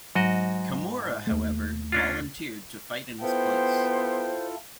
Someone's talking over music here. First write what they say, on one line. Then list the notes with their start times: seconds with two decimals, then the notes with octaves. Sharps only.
Kimura, however, volunteered to fight in his place.
0.15 G#2 F#3 F#4 D#5
1.27 D#2 A3
1.92 C#4 D4 F4
3.21 B3 E4 F4 A4 C5 G5